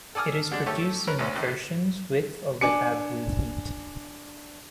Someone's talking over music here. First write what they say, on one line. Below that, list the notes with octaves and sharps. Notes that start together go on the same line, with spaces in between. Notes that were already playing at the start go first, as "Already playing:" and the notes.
It is produced in versions with or without reheat.
A4 D5 G#5 D#6 F6
D3 G#3 D4
A3 C#4 G4 A4
C#4 A#4 B4
A1 D2 C#4
A#1 A2
D4 G#5 D6 C#7